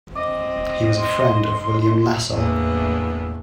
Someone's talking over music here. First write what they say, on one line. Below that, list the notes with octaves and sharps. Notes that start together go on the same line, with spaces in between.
He was a friend of William Lassell.
C4 D#5 D6
C6
E2 A2 E3 A#3 B3 D4